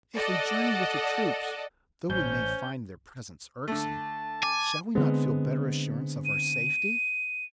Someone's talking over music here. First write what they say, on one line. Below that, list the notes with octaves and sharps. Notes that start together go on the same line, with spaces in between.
"If we journey with the troops, though we may find their presence irksome, shall we not feel better assurance of our safety?"
A4 D5 D#5 F#5
A1 C#4 C5 G6
D3 A3 A5
G#5 D6
D3 G#3 B3 C4
D#7